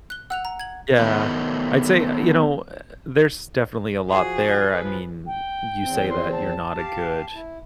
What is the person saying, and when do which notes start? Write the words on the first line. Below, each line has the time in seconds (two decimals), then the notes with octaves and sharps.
Yeah, I'd say eh, you know, uh, there's definitely a lot there, I mean, you say that you're not a good
0.10 F#6 G7
0.30 F#5 E6 F#6 F7
0.45 A#5
0.60 G#6 F#7
0.98 D#3 F#3 A3 B3
4.09 F3 F#4 G#4
4.72 F3 F4 B4
5.26 G5
5.83 E2 C4
6.10 C6
6.32 A5
6.77 G4 F5
7.35 E4